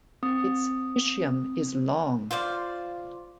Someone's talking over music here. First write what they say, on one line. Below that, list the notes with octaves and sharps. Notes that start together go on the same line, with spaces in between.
Its ischium is long.
C4 D#6
F4 C5 D5 F5